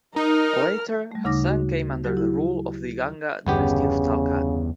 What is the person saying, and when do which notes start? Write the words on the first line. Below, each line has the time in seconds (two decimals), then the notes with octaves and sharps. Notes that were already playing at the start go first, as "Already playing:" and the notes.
Later Hassan came under the rule of the Ganga Dynasty of Talkad.
0.16 D#4 A#4 F6
1.12 G3 A3
1.24 D2 C#3 D#4 D6 A#6
1.44 F#4
2.04 F#3 F#4 G4
2.17 E4
3.47 G1 E2 C#3 B3 G4